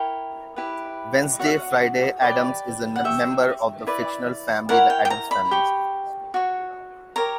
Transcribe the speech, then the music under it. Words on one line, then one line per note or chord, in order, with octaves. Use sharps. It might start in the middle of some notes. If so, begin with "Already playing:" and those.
Wednesday Friday Addams is a member of the fictional family The Addams Family.
Already playing: E4 A#4 C#5 G5
E4 G4 B4
F#4 C#5 F#5
G4 B4 D5
F#5
G4 C#5 E5
E4 B4 D5
E4 A#4 C#5 F#5
G5
G5
A#5
B5
G4 C#5
F#4 C#5
G4 A#4 C#5 A#5